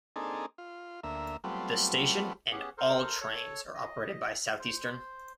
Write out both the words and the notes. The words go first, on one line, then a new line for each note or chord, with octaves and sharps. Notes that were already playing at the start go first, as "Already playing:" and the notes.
The station and all trains are operated by Southeastern.
A#3 C4 D4 D#4 G#4 A4
F4
D2 A#3 E5
F#3 G3 A3 B3 C4 F4
B3 C#4 G4 G#4
A4 A#4 C5
A4 C#5
D#5
C5